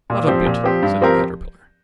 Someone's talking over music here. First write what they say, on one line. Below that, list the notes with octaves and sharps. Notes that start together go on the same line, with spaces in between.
'Not a bit,' said the Caterpillar.
A#2
F3 C4 G4 C5
A#2
F3 C4 G4 C5
G2
F3 C4 G4 A#4